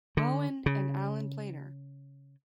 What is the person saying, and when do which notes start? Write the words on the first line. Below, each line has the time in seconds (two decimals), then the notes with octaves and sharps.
Bowen, and Alan Plater.
0.17 D3
0.66 C#3